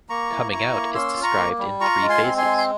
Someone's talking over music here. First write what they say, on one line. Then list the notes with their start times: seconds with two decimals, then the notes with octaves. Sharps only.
"Coming out" is described in three phases.
0.09 A#3 A#5 C#6
0.31 E4
0.52 E4 A#5 C#6
0.74 A#3
0.95 C#4 C6 E6
1.16 F4
1.23 A#5 C#6
1.38 A#3
1.59 G3
1.81 F4 A#5 C#6
2.02 G#3
2.09 G#5 C6
2.23 C4
2.38 G#5 C6
2.44 G#3
2.58 C6